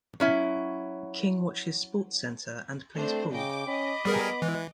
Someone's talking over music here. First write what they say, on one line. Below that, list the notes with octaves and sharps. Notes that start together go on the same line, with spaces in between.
King, watches SportsCentre, and plays pool.
F#3 C#4 E4
A3 C4 D4 C5
C#3 D#5 G5 D6
C#4 D#5 B5 D6
G3 B3 G#4 A#4
E3 G#3